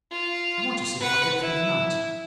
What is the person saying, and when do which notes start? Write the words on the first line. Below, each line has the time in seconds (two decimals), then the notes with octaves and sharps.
I want to see how I get through the night.
0.12 F4
1.00 B4 F#5
1.40 E4